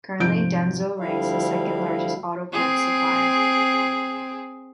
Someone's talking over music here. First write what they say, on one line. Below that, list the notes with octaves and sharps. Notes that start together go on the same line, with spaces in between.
Currently, Denso ranks the second largest auto parts supplier.
F1 G#2 F3 G6 D7
D2 D3 F3 G3 E4 F5
C4 G#4